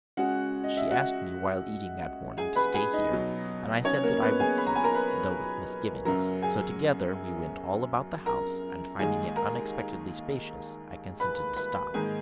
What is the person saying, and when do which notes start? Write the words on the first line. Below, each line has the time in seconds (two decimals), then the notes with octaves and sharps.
She asked me while eating that morning to stay here, and I said that I would see, though with misgiving: so together we went all about the house, and finding it unexpectedly spacious, I consented to stop.
0.17 C#3 G#3 C#4 F#4 F#5
0.64 D#5
0.77 E5
0.91 F#4 F#5
2.38 G#4 G#5
2.56 B4 B5
2.74 G#4 G#5
2.93 D#4 D#5
3.11 B2 F#3 B3
3.85 C#4 C#5
4.03 A#3 A#4
4.22 B3 B4
4.40 G#4 G#5
4.58 B5
4.67 A#5
4.75 G#5
4.84 A#4 A#5
4.95 B4 B5
6.05 F#2 C#3 F#3 A#4 A#5
6.42 G#4 G#5
8.26 A#4 A#5
8.99 D#2 D#3 G#3 D#4 G#4 G#5
9.36 A#4 A#5
11.20 B4 B5
11.57 B4 B5
11.94 G#2 D#3 A#3 D#4 G#4 G#5